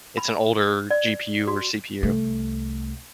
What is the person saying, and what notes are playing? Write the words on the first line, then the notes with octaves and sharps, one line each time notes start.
it's an older GPU or CPU.
B5
D5
F#4
C2 A3